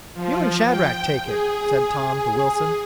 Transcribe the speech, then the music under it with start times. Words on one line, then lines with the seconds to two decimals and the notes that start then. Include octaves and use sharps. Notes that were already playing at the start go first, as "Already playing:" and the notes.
"You and Shadrack take it," said Tom to Wilson.
0.13 F3
0.66 G5
1.24 G#4